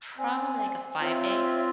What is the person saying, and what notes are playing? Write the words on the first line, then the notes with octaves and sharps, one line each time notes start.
Probably, like, a five-day.
C4 D5 G#5
C4 F4 C#5 E5